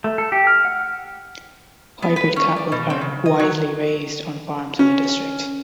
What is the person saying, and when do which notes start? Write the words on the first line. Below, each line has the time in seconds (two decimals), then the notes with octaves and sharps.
Hybrid cattle are widely raised on farms in the district.
0.04 A3
0.18 A4
0.32 G4
0.47 F6
0.65 F#5
2.02 B3
2.16 B4
2.36 C#4
2.56 D5
2.72 B2
2.90 C4
3.01 C#3
3.26 D#5
3.39 F#3
4.79 C#4